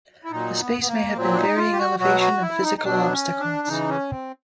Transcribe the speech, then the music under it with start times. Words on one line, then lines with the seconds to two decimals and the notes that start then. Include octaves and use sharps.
The space may have varying elevation and physical obstacles.
0.25 E4
0.31 A#2 F#3 D#4
0.60 B3
0.81 B3
0.88 A#3
1.16 A#2 F#3 C4
1.33 D4
1.37 D#4
1.57 F4
1.73 G4
1.78 F#4
2.00 B2 F#3 F#4
2.21 F#4
2.42 E4
2.62 D#4
2.78 D#4
2.84 B2 F#3 D4
3.12 C#4
3.40 D4
3.68 C#3 E3 D#4
3.89 C#4
4.10 C4